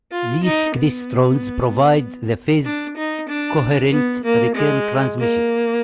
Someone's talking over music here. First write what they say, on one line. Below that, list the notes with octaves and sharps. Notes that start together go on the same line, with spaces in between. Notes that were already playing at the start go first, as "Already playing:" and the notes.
These klystrons provide the phase coherent return transmission.
F4
D#4
B3
D4
D#4
D4
B3
A#3
G#3
A#3